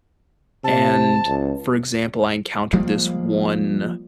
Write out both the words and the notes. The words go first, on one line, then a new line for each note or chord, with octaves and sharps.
and for example, I encountered this one
C3 A5
C#2
F3 G3 G#3 A#3